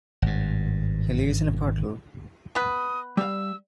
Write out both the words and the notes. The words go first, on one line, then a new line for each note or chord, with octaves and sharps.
He lives in a puddle.
G#1 G2
B3 B4 D#6
G3 F5 E6